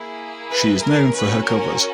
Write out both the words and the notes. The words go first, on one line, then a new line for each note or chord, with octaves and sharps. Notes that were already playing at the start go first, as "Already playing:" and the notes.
She is known for her covers.
Already playing: A#3 E4 G#4
B4
A#4
C#4 F#4 B4
A#4